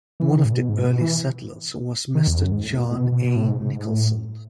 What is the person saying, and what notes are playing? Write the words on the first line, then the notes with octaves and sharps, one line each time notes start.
One of the early settlers was Mr. John A. Nicholson.
E3
C#3
A2
B2
G#2
B2
E3
D#3
E2
F#2
G#2
A2
B2
A2
B2
B2
B2
A2
G#2
G#2
A2